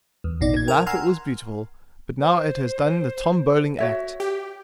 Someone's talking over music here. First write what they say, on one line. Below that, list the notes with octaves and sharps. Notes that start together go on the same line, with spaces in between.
In life it was beautiful, but now it has done the Tom Bowling act.
E2
A1 B2 D#4 D5
G#6
A#4 G5
F#5 G#5 A#5 C6 E6 F6
C5
F#4 C#5 E5
G4